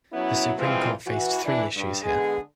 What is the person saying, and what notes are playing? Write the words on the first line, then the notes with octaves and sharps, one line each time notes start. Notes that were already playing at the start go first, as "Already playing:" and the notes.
The Supreme Court faced three issues here.
F#3 B3 C#4 E4
E3 F3 G3 G#3 C4 F4
E3 F#4
E3 D4 E4
G2
D3 G#3 B3 G#4